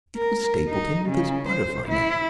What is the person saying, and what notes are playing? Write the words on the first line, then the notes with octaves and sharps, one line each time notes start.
It was Stapleton with his butterfly-net.
A#4
D#4
C#3
C5
E4